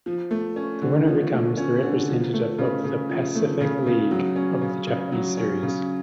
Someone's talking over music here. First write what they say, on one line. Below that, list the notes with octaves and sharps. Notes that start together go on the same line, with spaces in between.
The winner becomes the representative of the Pacific League to the Japan Series.
F3
A3
C#4
D3
F3
A3
C#4
D3
F3
A3
C#3
C#3
F3
A3
C#3
C#3
F#3
C#4
C#3
C#3
F#3
C#4
C#3